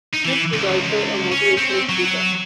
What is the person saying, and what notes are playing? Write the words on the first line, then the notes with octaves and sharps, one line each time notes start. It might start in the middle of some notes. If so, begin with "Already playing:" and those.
Smith was also a motivational speaker.
D#4
E3
C#2
C#4
C4
F#3